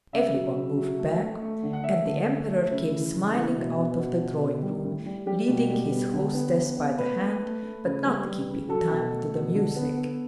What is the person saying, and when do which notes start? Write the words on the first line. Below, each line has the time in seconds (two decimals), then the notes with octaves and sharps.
Everyone moved back, and the Emperor came smiling out of the drawing room leading his hostess by the hand but not keeping time to the music.
0.13 C#3 E5
0.34 F#3
0.55 C#3
0.77 F#3
0.99 A3
1.20 A3
1.42 A3
1.63 D3
1.73 F#5
1.84 A3 E5
2.06 D3
2.27 A3
2.49 A3
2.70 C#3
2.91 E3
3.13 C#3
3.34 E3
3.55 B2
3.77 B3
3.98 B2
4.20 B2
4.41 B3
4.62 G3
4.85 A2
5.06 G3
5.26 G3 G4
5.48 B2
5.70 G3
5.92 B3
6.13 D3
6.34 B3
6.55 B3
6.77 B3
6.97 A3 B4
7.20 A3
7.41 A3
7.63 A3
7.84 C#3
8.06 G3
8.26 G3
8.48 C#3
8.69 F#3 A4
8.90 B2
9.12 A3
9.33 B2
9.55 D3
9.76 B3
9.98 B3